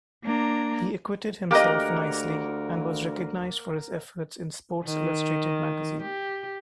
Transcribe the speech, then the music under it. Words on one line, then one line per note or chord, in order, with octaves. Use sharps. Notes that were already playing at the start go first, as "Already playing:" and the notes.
He acquitted himself nicely and was recognized for his efforts in "Sports Illustrated" magazine.
A#3 D4 A#5
D2 A#3 G4 A#4 D#5 F#5
D#3
G4